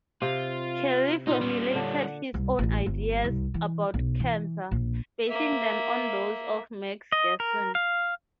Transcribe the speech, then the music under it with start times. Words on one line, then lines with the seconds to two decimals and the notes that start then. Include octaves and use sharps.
Kelley formulated his own ideas about cancer, basing them on those of Max Gerson.
0.22 C3 F4
1.27 A#2 D#4 F4
1.41 G3 C#4
1.75 D3
1.98 F#5
2.34 C2
2.59 A1
2.86 G1
3.24 C2
3.54 E3
3.94 B1
4.20 E3
4.71 A#1
5.29 A#3 E5
7.12 D#5
7.40 A#4
7.75 F5